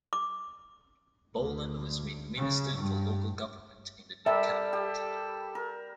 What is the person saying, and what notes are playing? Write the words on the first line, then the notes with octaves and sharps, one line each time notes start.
Boland was made Minister for Local Government in the new cabinet.
D6
D2
C#3
G2
G3 G4 A4 A#4 E5
G4
A#4